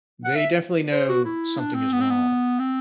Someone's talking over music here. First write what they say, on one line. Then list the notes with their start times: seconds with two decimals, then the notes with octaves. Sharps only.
they definitely know something is wrong
0.25 F#5
0.35 E5
0.92 C5
1.09 F#4
1.25 E4
1.58 D4
1.75 C4
1.93 B3
2.00 C4
2.10 B3
2.59 C4